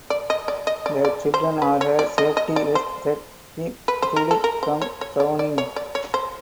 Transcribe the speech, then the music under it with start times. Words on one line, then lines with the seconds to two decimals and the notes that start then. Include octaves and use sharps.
The children are her safety vest that keep Judith from drowning.
0.10 D5
0.30 D#5
0.48 D5
0.67 D#5
0.86 D5
1.05 D5
1.34 C5
1.62 B4
1.81 C#5
1.99 D5
2.18 D#5
2.37 D#5
2.56 D5
2.75 C5
3.88 B4
4.02 C5
4.16 A#4
4.31 A4
4.44 A#4
4.63 C5
4.82 C#5
5.01 C#5
5.20 D5
5.39 D5
5.58 C#5
5.76 D5
5.95 C#5
6.14 C5